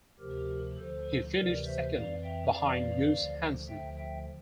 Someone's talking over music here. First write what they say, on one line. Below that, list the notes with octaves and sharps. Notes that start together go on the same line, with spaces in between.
He finished second behind Gus Hansen.
D2 C3 F3 G4 A#4
D2 D3 F3 A4 C5
D2 C3 E3 A#4 D5
C5 E5
F2 E3 D5 F5
E5 G5
F2 E3 D5 F5
D2 D3 F3
D2 D3 F3 E5 G5
E5 G5